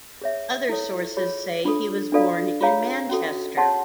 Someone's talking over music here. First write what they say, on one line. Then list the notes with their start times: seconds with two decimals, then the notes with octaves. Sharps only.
Other sources say he was born in Manchester.
0.21 G#4 C#5 E5
0.69 E4 A4 C#5
1.17 F4 G#4 C#5
1.65 D4 F4 A4
2.12 D4 F4 A4 D5 F5
2.61 F4 G#4 C#5 F5 A#5
3.09 C#4 F#4 A4
3.57 G#4 C#5 F#5 A5 C6